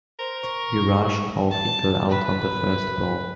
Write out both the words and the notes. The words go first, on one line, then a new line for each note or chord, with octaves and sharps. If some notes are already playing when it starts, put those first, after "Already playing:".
Viraj Kolhi got out on the first ball.
A#4 C5
C#6
A5
B4